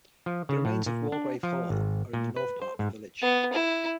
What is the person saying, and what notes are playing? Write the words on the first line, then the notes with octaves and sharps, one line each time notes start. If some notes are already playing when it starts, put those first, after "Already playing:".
The remains of Walgrave Hall are in the north part of the village.
F3
C#3
A2
A#2
D4
F3
G#1
A#2
B4
C5
G#2
B3
E4